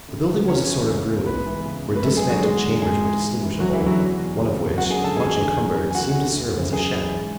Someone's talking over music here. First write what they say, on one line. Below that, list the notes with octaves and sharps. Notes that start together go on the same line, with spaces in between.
The building was a sort of ruin, where dismantled chambers were distinguishable, one of which, much encumbered, seemed to serve as a shed.
D2
C#3 E3
E2 C#4 C#5
C#3 E3
C#2
B2
G#2 B3 B4
E3
C#2
B2
B4
F#2 A3 A4
G#3 G#4
D3
F#3 F#4
E2 G#3 G#4
D3
G#2 G#3 G#4
E3
G#2
E3
F#2 F#3 F#4
E3 E4
D3
F#3 F#4
E2
B2
C#2
B2
F#2 F#4 F#5
G#4 G#5
D3
A4 A5
E2 G#4 G#5
D3
F#2
E3
G#5
D2 F#4 F#5
D3
D2
C#3 E3
F#2 G#4 G#5
E3
G#2